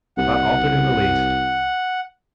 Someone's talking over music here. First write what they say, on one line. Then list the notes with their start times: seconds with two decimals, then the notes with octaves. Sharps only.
Not altered in the least!'
0.18 C2 F#5